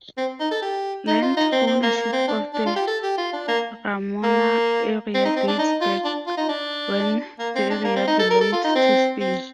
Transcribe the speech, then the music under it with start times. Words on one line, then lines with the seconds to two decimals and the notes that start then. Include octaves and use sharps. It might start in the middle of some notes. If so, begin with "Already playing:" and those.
Land ownership of the Ramona area dates back when the area belonged to Spain.
0.17 C4
0.40 D#4
0.51 A4
0.62 G4
1.07 D#4
1.22 F4
1.37 D#4
1.52 C4
1.67 C4
1.83 A#3
1.97 A#3
2.13 C4
2.28 D4
2.54 D4
2.66 F4
2.76 G4
2.88 A4
3.03 G4
3.18 F4
3.33 D4
3.48 A#3
4.23 A#3
5.14 C4
5.25 D#4
5.36 C4
5.48 D4
5.59 D#4
5.81 F4
6.04 D4
6.27 F4
6.38 D#4
6.49 D4
7.39 A#3
7.55 C4
7.70 D4
7.84 A#3
7.96 C4
8.08 D#4
8.19 A4
8.31 A#4
8.41 A4
8.53 F4
8.64 D#4
8.75 C4
9.20 C4